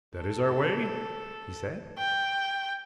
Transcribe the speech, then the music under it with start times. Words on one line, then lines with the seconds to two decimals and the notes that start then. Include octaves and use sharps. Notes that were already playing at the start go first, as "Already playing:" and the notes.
"That is our way," he said.
0.20 A4
1.98 G5